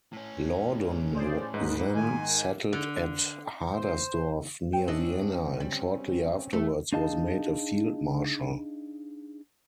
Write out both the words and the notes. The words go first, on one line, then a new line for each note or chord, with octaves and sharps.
Laudon then settled at Hadersdorf near Vienna, and shortly afterwards was made a field-marshal.
A2 C#4
G#4 C5 D5
G#2 D#4 B4
D#3 G#3 G#5
D3
C5
C4 C#4 G5
D4 A4 D#5
G3
A3
D4 D#4 G#4 D#5 F5 A5